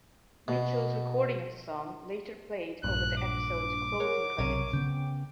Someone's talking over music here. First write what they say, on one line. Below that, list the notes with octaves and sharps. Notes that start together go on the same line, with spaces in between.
Mitchell's recording of the song later played over the episode's closing credits.
B2
A#1 G2 A#2 F#6
D6
A#4 C#5 F#5
B1 C3 A#4 C#5 D#7
C#3 B3 G5